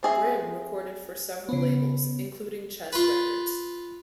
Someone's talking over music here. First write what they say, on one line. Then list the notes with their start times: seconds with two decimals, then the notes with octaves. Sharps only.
Brim recorded for several labels, including Chess Records.
0.03 C4 G#4 E5
1.49 C#3 B3
2.93 F4 B4